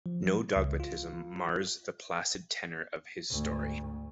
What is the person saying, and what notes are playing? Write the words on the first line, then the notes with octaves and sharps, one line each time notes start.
No dogmatism mars the placid tenor of his story.
F3
C#2
F4
D2 G#2